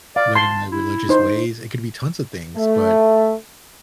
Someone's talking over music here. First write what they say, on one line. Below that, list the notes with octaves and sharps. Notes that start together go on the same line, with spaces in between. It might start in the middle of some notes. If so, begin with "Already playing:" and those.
learning my religious ways, it could be tons of things, but
D5 F5
A5 C6
E4
D#4 C5
A3